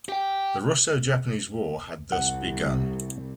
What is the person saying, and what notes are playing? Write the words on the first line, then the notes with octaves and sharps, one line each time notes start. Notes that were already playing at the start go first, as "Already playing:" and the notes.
The Russo-Japanese war had thus begun.
G4 G5
C2 F#5